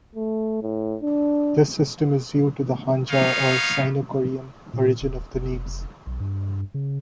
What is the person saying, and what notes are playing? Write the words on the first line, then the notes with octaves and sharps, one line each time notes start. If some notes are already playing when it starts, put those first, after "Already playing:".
This system is due to the hanja or Sino-Korean origin of the names.
A3
A2
D4
B3 D#4 C#5 F5
A#2
D#1
F1
B1
G2
C#3